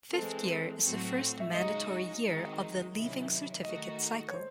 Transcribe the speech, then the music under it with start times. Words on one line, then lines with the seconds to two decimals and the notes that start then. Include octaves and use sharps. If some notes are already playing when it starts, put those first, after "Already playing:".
Fifth year is the first mandatory year of the Leaving Certificate cycle.
0.13 E3 G#3 C4 A4
0.83 A2 F#3 C4 F#4
1.40 E5
1.53 C#3 G#3 D#4 F#4 D#5
2.24 D#3 G#3 C4 D#4 F#4
2.93 C3 D#3 F#3 C#4 E4
3.63 D#3 A3 D#4 F#4 D#5
4.28 C#5
4.34 C5